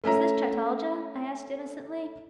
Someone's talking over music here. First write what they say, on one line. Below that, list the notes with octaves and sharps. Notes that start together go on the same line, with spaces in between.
'Is this Chataldja?' I asked innocently.
A3 C#4 E5 A#5